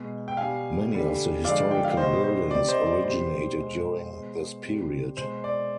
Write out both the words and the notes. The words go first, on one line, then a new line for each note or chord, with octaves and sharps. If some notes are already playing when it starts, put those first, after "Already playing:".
Many of the historical buildings originated during this period.
Already playing: B2 G#3
G5
B2 G3 F5 G#5
D3 G3
D3 F3 G#3 D5 F5
G5
F5
B2 G3 C5 D#5
C5
C3 G3 D5
C5 D#5
D5
B2 G3 C5
B2 G#3
B2 G#3
C3 G3
B2 G#3 C5
D5